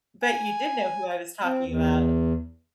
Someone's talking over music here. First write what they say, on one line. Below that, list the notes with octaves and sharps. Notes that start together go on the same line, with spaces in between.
but you did know who I was talking about.
G#5
C4
E2